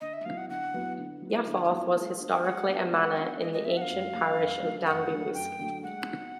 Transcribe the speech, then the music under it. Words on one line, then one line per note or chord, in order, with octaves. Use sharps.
Yafforth was historically a manor in the ancient parish of Danby Wiske.
D3 D#5
E5
F#3 B3 E4 F5
F#5
D3 F#5
F#3 B3 E4
D3
F#3 B3 E4
D3
F#3 B3 E4
G#3
B3 D4 F#4
G#3 F#5
B3 D4 F#4
G#3 F#5
B3 D4 F#4
G#3 D#5
D#5
B3 D4 F#4 E5
F#5
F5
F#2
D3 F#3 A3
F#2
D3 F#3 A3
F#2 F#5
D3 F#3 A3
F#2 G5
D3 F#3 A3
G#3 F#5
B3 D#4 F#4